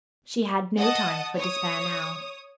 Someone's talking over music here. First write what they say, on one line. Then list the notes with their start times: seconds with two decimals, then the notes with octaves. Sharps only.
She had no time for despair now.
0.77 D#5 F#5 A5 D#6
1.36 C#5 D#6